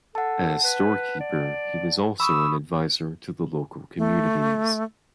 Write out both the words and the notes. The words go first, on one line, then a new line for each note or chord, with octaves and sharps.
As storekeeper he was also an advisor to the local communities.
A4 F#5 A5
B4
D5
B5 C#6 D#6 E6
A3